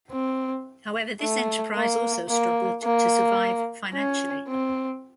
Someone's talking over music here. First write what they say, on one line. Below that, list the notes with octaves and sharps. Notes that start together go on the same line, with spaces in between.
However this enterprise also struggled to survive financially.
C4
A3
A#3
A#3
A#3
C#4
C4